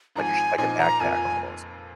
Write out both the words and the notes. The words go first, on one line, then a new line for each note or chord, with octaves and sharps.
like a like a backpack almost.
G#1 G#2 F3 G#5 A#5
A#2 F3 C4 D#4 G#5
A#5
F1 F2 F3 A#3 G#5